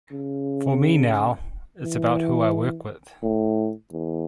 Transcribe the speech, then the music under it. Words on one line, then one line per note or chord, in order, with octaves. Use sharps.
For me now, it's about who I work with.
C#3
E3
A2
E2